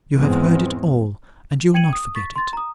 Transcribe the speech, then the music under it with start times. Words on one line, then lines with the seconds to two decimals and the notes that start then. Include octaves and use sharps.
'You have heard it all, and you'll not forget it.
0.16 E2 G#2 G#3 C4
1.74 G5 G#6 C#7 D#7 F#7
1.93 D#6
2.15 C#6 A6 B6
2.36 C6 A6
2.53 A#5 D#6